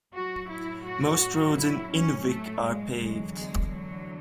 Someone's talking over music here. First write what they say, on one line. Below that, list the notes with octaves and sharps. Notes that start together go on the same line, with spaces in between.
Most roads in Inuvik are paved.
A2 F#3 F#4
E4
F#4
E4
C#4
A3
G#3
E2 D3 F#3 G#3
G#3
F#3